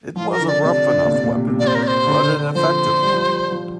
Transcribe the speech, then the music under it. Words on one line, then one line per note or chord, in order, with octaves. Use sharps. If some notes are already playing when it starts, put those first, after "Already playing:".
It was a rough enough weapon, but an effective one.
F3 F4
A#4
D3
D5
C3 D5
D3
A#2
C3
A#2
C3
C3
A#2
D5
C3
C5
A#4
D5
C5
D3
F3 C5
G3
F3
G3
F3